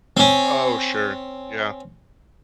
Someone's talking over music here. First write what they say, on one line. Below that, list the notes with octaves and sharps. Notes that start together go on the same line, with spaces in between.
Oh, sure. Yeah.
C4 C#4